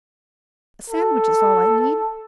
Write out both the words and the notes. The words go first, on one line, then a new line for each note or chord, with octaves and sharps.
A sandwich is all I need.
A4